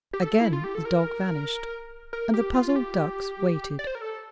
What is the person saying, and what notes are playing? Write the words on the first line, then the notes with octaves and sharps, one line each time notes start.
Again the dog vanished, and the puzzled ducks waited.
G4
A4
E4
F4
G4
A4
A#4
A#4
G4
F4
F4
G4
D5
C5
A#4
A4